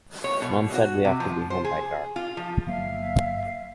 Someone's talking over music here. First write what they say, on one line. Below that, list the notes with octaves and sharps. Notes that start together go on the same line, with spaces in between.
Mum said we have to be home by dark.
C#5
B2
F#4
C3
F3
C5
G#4
F4
F3
G1 F#3 A#3 E5 F5